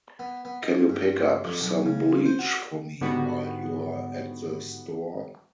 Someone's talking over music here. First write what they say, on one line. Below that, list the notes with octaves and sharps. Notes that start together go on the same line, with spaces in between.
Can you pick up some bleach for me while you're at the store?
B3
B3
D#5
G2
F2
B1
C#3
C5
F#4
G#2 D3 G3 B3 F#4